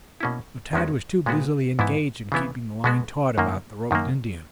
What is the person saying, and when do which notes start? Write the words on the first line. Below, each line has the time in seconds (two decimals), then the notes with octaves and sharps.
But Tad was too busily engaged in keeping the line taut about the roped Indian.
0.21 B2 A#3 C#4 E4
0.73 E2 D#3 G#3 C#4 F#4
1.26 A#2 G#3 B3 F#4
1.79 G#2 E3 B3 E4
2.32 C#3 E3 B3 E4
2.84 B2 G#3 B3 F#4
3.38 F#2 D#3 A#3
3.91 F#2 D#3 A#3